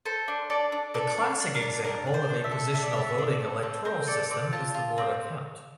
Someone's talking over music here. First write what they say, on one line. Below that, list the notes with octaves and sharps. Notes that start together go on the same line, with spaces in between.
The classic example of a positional voting electoral system is the Borda count.
A4 C5
D4
A4 D5
D4
A4 D5
D4
D4
A#4
D4
D4 A#4
D4
C5
D4
E5
A4
D4 E5
D5
A4 E5
D4 D5
A4
C4 A4
C4 A#4
A4 D5
C4 D5
F4 A5
F4
C4